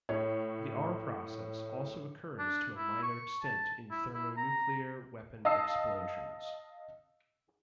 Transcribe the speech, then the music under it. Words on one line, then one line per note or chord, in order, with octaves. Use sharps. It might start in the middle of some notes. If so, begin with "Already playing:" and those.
The r-process also occurs to a minor extent in thermonuclear weapon explosions.
A2 C#5
D4
E4
C#6
A5
E4
E4
A#5
D#5 F5 A5 D#6 E6 C7